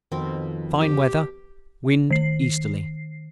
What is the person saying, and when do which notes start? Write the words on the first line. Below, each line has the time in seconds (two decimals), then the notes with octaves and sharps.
Fine weather: wind easterly.
0.12 F2 B2 D#3 C4 A#4
0.81 G4 F5
2.11 D#3 C7